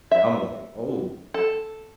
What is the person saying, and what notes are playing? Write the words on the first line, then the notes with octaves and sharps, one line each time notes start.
And I'm like, oh.
E5
A4